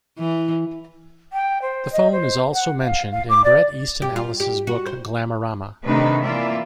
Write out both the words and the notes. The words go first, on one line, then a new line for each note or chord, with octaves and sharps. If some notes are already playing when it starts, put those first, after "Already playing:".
The phone is also mentioned in Bret Easton Ellis' book "Glamorama".
E3
G5
C5
D#5
C5
F#5
F5
F5
D6
D5
G4
F4
G4
F#4
C5
C3 D#3 A3 D4 D#4 B4
E3 A#3 F4 D5 E5